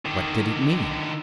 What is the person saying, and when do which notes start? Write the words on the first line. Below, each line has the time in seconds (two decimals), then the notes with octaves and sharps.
What did it mean?
0.05 D3 D#3